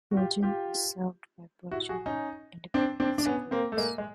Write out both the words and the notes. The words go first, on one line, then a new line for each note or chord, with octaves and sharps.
Burgin is served by Burgin Independent Schools.
F#4
F4 G4
F4 G4
E4 F#4
F#4 G#4
C#4 D#4
C4 D4
C4 D4
D4
B3 C#4
A#3 C4
A3
G#3 A#3
G#3